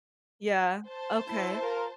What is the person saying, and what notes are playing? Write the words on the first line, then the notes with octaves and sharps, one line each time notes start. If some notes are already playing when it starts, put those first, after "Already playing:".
Yeah, okay.
C5 A5
E4
F4 A#4